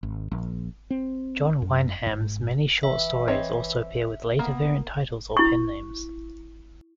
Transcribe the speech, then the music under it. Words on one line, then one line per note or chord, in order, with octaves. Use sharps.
John Wyndham's many short stories also appear with later variant titles or pen names.
G#1
A#1
C4
F#2
G#2
E3 E5
C4 C#5 D#5
A#3 B3
E4 C#6